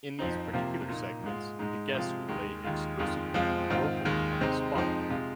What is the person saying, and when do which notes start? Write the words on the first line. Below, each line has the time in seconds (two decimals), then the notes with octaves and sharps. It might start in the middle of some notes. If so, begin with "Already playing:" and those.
In these particular segments, the guests would lay exclusive new vocals on the spot.
0.19 F2 F3 C4 D#4
0.53 C3 F3 A#3 F4
0.89 A#2 A#3 D#4
1.24 G#2 G#3 F4
1.59 G#2 G#3 D#4
1.94 C3 F3 G#3 F4
2.28 D#2 D#3 G#3
2.64 D#2 D#3 G#3 F4
2.99 F2 D#3 G#3 F4
3.34 F2 F3 G#3 C4 F4
3.70 G#2 D#3 C4 F4
4.05 D#2 D#3 G#3 F4
4.41 C3 G#3 C4 D#4
4.75 F2 F3 G#3 C4 D#4
5.10 C3 G#3 F4